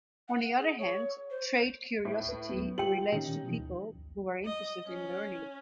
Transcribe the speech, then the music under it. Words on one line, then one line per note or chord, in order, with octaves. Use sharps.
On the other hand, trait curiosity relates to people who are interested in learning.
F#5
F#5
G#4
C#5
C5
A2
B4
F#3 B3
F4 G4 G5 F#7
A#2 D#3 C#4 D#4
B2 E3 F3
D#5
C#4